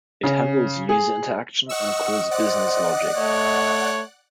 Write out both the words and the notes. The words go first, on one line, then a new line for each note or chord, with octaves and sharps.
It handles user interaction, and calls business logic.
C#3
G#4
D#5 F#5 C#6 E6
C5 D5 F#5 F#6
A3 C#5